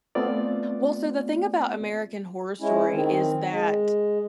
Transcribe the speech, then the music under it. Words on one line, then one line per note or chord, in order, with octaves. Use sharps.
Well, so, the thing about American Horror Story is that
A3 B3 C4 F4 D5
G#3 C#4 E4
D#3 C4
G#3